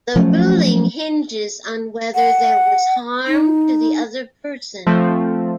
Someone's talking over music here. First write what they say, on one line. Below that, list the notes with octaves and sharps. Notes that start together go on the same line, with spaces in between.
The ruling hinges on whether there was harm to the other person.
F3 F#3 A3 C#4
F#5
D#4
F3 A3 C4